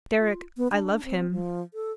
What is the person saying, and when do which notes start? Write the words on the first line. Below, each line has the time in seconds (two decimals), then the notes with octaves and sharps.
"Deryck--I love him."
0.18 F4
0.57 B3
0.72 D4
1.04 C4
1.31 F3
1.74 A4